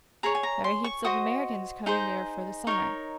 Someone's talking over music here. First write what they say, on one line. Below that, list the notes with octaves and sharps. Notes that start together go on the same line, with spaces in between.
There are heaps of Americans come there for the summer.
G#4 C#5 A#5
G#5
A#5
C6
C#6
F#4 C5 D#5 D#6
D#4 G#4 C5
D#4 A#4 C#5 C#6